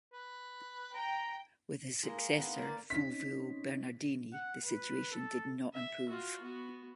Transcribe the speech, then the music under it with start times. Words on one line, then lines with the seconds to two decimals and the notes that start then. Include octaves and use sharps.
With his successor, Fulvio Bernardini, the situation did not improve.
0.13 B4
0.94 G5 A#5
2.03 G#3 A#3
2.38 B3 C5 F5
2.58 A#3 D5
2.90 C4 C#4 D#4 B6
4.33 F#5
4.65 B4
5.12 A4
5.74 E5
6.09 F4 F#4
6.41 B3 F#4